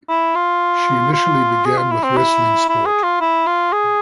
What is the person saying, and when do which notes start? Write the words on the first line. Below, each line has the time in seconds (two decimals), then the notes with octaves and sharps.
She initially began with wrestling sport.
0.09 E4
0.35 F4
1.13 F4
1.65 G#4
1.78 F4
1.91 E4
2.04 C4
2.17 E4
2.69 E4
2.86 G#4
3.03 F4
3.21 E4
3.47 F4
3.73 G#4